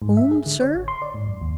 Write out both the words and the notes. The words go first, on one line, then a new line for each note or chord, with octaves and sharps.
"Whom, sir?"
G#2
E5
G#4
D3
C#5
A1
C6
D5
G#2
F#2
D#2